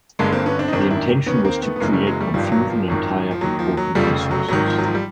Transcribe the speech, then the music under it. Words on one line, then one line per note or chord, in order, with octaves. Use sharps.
The intention was to create confusion and tie up important resources.
G1 G2 D3 G#3 A#3
A#3 C4
B3 C#4
C4 D4
D#4
G#1 F#2 D#3 C4 D4
D4 E4
D#2 D#3 B3 C#4
A#3 C4
A3 B3
B3
F#1 F#2 C#3 E3 G#3 A#3
G3 A3
F#3 G#3
G3 A3
G#1 G2 D#3 F3 G3
F#3
F3
G#1 F#2 D#3
F3
D#2 D#3 F#3
F3
F#3
F1 F2 C#3 F3 G3
F#3
G#1 G#2 D#3 F#3
F3
F#3
F3
G3